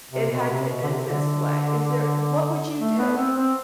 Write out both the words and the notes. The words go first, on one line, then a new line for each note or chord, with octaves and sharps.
"it had to end this way. Is there" What would you do?
C3
B2
C3
B2
D3
C3
D3
A3
B3
C4
C4